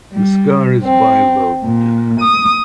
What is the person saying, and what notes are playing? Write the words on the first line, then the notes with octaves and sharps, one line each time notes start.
The scar is bilobed.
G3
C4
A#2
D#6